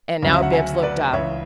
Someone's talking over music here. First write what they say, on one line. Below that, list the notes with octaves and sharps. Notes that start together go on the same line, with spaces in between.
And now Bibbs looked up.
D2 C#3 F#3
E5
F#5
E5 G#5
B4 D5
C#2 C#3 E3 C#5 E5